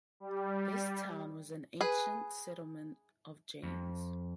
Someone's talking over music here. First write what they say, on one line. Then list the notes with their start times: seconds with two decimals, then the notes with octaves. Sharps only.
This town was an ancient settlement of Jains.
0.20 G3
1.81 G#4 B4
3.63 F2